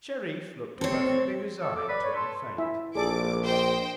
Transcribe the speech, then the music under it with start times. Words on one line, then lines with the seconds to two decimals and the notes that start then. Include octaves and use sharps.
Shereef looked perfectly resigned to any fate.
0.81 C4 A4 C#5
1.61 A4 C#5
1.75 A4 D6
1.89 B4 D5
2.03 C#5
2.15 A4 C6
2.58 E4 E5
2.95 A#1 G#4 A4 D5 D6
3.44 C5 D#5 G5